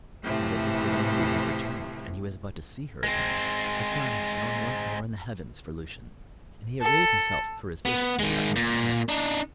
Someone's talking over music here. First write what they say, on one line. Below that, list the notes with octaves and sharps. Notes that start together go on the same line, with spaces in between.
Now that his divinity had returned, and he was about to see her again, the sun shone once more in the heavens for Lucian, and he arrayed himself for his visit with the utmost care.
A2 C3 E3 F3 A3
G#3 C4
A4
B3
D#3 G#3
A#2
D4 D#4